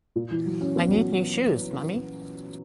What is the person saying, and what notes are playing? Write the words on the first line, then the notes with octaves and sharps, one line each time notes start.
I need new shoes, mommy!
A#2
E3
F#3
C#4
B3
F#3